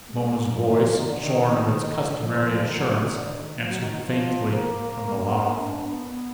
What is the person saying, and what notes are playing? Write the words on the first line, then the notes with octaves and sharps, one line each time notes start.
And Mona's voice, shorn of its customary assurance, answered faintly from the loft.
A#3
G#3
A#3
A#3
F3
D#3
F3
D#3
D3
D#3
F3
D#3
F#3
F#3
D#3
D3
D#3
F3
F#3
D#3
D#3
F3
A#3
B3
D4
B3
D4
B3